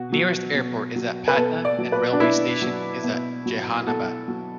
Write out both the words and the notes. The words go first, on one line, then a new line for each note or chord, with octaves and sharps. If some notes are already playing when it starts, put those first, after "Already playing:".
Nearest airport is at Patna and railway station is at Jehanabad.
Already playing: B2 F#4
F#3
B2
F#3
B4
B2 A4
D5
F#3
B4
D4
B2 E4
F#3
B2
F#3
F#4
B2 A4
F#3